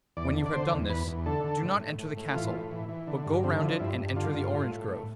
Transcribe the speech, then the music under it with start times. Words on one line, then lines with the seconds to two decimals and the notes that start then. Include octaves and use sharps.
When you have done this, do not enter the castle, but go round it and enter the orange grove.
0.17 E2 D5
0.36 D3
0.46 D5
0.53 D3 C5
0.72 E2
0.89 E2 B4
1.07 E2
1.26 D3 A4
1.44 D3
1.62 A2
1.80 A2
1.98 A2
2.17 A2
2.34 E3 F4
2.53 A2
2.71 E3
2.89 E3
3.07 D3
3.26 G2
3.43 D3 C4
3.62 F3 E4
3.79 G2 E4
3.98 G2
4.16 D3 F4
4.34 G2
4.52 A2
4.70 A2
4.88 A2